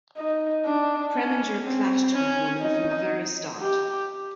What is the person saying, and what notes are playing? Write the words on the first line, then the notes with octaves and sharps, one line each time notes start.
Preminger clashed with the woman from the very start.
D#4
D4
C#4
C4
C#4
D#4
G4